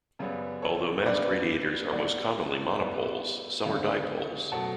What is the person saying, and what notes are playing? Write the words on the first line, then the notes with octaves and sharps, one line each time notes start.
Although mast radiators are most commonly monopoles, some are dipoles.
F#2 C#3 G3 B3
A4 C#5
G2 D3 G3 B3 B4 D5
A2 G3 B3 D5 F#5
A2 G3 B3
D2 C#3 G3 B3
B2 F#3 A3 F#5 A5